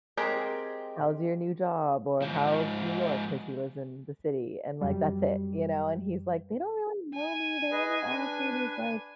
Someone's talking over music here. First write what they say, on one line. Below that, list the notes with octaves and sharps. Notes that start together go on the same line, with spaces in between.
"How's your new job?" or "How's New York?" 'cause he lives in the city and like that's it, you know, and he's like, "They don't really know me, they only ask me these like
G#3 C4 G4 G#4 A#4
G#2 F3
F#2 G3
G#5
G#4 B4 D#5
D4 B4